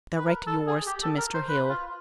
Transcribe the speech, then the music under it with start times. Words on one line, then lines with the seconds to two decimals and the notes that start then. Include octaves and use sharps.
Direct yours to Mr. Hill.
0.16 B4
0.26 A#4
0.47 A4
0.67 G#4
0.87 G4
1.03 A4
1.18 A#4
1.34 C5
1.49 B4
1.70 F4